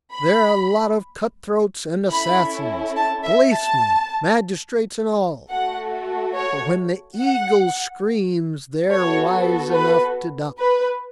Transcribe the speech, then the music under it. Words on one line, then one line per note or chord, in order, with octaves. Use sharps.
"They're a lot of cutthroats and assassins--policemen, magistrates and all--but when the eagle screams they're wise enough to duck."
B5
C#4 E4 A4 B5
A5
E5
A5
A3 F#4 A4 F#5
C#5
F#5
B3 F#4 A4 C#5
B4
B4